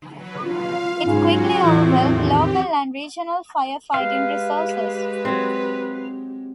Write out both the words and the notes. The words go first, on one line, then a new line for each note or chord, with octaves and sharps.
It quickly overwhelmed local and regional firefighting resources.
F#3 B4
F4 F5
G#2 C#3 F#3 F#4
E2 A2 E3 C4
D#2 G4
G#3 G4 B4 F5
F#3 C4